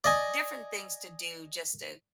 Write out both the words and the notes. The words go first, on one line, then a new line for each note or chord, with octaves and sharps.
different things to do just to
D5 D#5 G#5